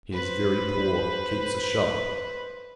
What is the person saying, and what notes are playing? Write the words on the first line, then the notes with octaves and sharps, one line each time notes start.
He is very poor; keeps a shop.
B4 C5